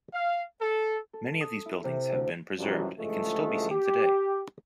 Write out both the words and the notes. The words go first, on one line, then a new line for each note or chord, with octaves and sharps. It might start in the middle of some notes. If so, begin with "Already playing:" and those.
Many of these buildings have been preserved and can still be seen today.
F5
A4
A4
D#6
E4
C3
D2
F#2 C3 E3 F3 G3
C#2 G2 E3 F3 G#3 A3
G4